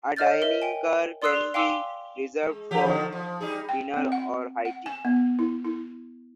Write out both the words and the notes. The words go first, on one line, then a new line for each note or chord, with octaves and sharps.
A dining car can be reserved for dinner or high tea.
C#5 D#5 F6 G6 A6
A#4 D#5 E5
G5 G#5
D5 C6 D#6 E6 F#6 C7
F5 G5 G#5 C6 D6 E6
G#3
F3 G4
D3 D#3 F3
F3
G3 D#4 G#4
G5
C4
F#5
F#5
G#5
B3
E4
E4